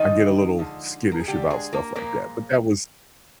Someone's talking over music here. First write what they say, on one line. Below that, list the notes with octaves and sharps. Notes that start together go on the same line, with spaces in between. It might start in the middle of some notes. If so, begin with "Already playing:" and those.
I get a little skittish about stuff like that, but that was
Already playing: D3 D#3 F3 G#3 D#4
D3 F3 G#3
A#4
G#4
D3 G3 G#3 G4
G#3 G#4
A#3 A#4
A#2 F3 G#3 A#3 A#4